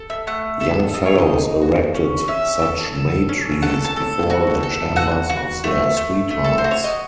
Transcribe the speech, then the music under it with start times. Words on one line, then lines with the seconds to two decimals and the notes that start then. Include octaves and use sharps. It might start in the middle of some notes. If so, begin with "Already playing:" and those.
Young fellows erected such May-trees before the chambers of their sweethearts.
Already playing: A4
0.10 E5
0.27 A3 F#5
0.60 A4 E5
0.94 A4 D#5
1.06 C#5
1.18 D#5
1.28 D#4
1.61 F#4
1.94 C#4
2.28 C#4 E5
2.62 A4
2.95 A4
3.29 C#4
3.62 A4 F#5
3.85 A5
3.96 A4
4.30 F#4
4.63 A4
4.96 F#4 F#5
5.30 F#4
5.64 A3
5.97 A3
6.30 A3
6.44 A4
6.58 C5
6.64 F#4
6.71 C#5
6.84 D#5